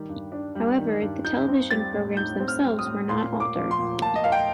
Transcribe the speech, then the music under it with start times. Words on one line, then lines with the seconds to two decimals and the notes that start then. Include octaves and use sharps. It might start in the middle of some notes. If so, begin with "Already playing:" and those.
However, the television programs themselves were not altered.
Already playing: D#3 G3
0.09 G2
0.32 D4
0.55 G3
0.78 D#3
1.01 G2
1.25 D#4 G6
1.48 C4
1.71 G3 A6
1.94 A2
2.17 D#4 G6
2.40 C4
2.48 F6
2.63 G3
2.79 D#6
2.86 A2
3.09 A#2 C6
3.32 A#3
3.40 D6
3.56 F3
3.71 C6
3.79 A#2
4.01 A#2 A5
4.15 D#5
4.24 A#3 F5
4.32 G5